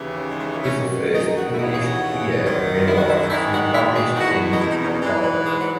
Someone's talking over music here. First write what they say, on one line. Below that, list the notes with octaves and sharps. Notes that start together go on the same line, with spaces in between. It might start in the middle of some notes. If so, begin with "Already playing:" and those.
It is the first English queer memoir to be published in Nepal.
Already playing: D#2 C#3 E3
G#3
G#3
A#3
C#4
F#2 D#3
D#4
F#4
E4
D#2 C#3 E3 F#4
G#4
F#4
F#2 D#3
E4
F#4
E4
D#4
G#2 D#3 E4
F#4
E4
G#4
E2 B2 F#4
D#4
E4
D#4
C#4
A#3
G#2 E3 G#3
F#3
G#3
F#3